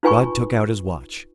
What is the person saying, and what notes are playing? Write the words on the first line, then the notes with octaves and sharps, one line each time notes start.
Rod took out his watch.
D#4 F4 B4 G#5 B5 C#6